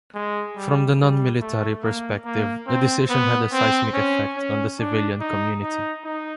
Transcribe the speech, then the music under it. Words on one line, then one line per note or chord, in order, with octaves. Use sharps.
From the non-military perspective, the decision had a seismic effect on the civilian community.
G#3
G3
G3
A3
A#3
A#3
C4
B3
C4
C#4
C#4
D4
D#4
D#4
D#4